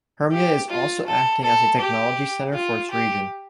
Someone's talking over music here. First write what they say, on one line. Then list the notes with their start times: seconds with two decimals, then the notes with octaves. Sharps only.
Hermia is also acting as a technology centre for its region.
0.32 G4
0.70 F4
1.07 A4
1.43 A4
1.80 G4
2.54 F4
2.91 G4